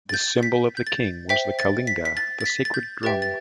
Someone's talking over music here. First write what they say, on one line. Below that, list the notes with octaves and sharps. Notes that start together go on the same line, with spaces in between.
The symbol of the King was the Kalinga, the sacred drum.
A6
G6
B6
G6
A6
C5 E5 G5 B6
A6
B6
B6
A6
A6
B6
A6
G6
G4 B4 E5 G5 A6
A6